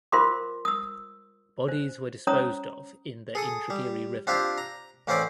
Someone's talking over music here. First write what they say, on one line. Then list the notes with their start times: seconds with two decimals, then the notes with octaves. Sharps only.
Bodies were disposed of in the Indragiri River.
0.12 F4 A#4 C5 F5 C6 D6
0.65 D#6 E6
1.68 C5
2.27 C#4 C5 C#5 A#5 D#6
3.35 G#4 A4 D#6
3.70 G3
4.27 C4 D4 F4 G4 C5
4.58 A#5
5.07 A1 A#3 C4 C#4 C5 D5